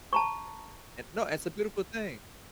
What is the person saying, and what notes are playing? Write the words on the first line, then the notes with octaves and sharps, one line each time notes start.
Eh, no, it's a beautiful thing,
A5 A#5 C#6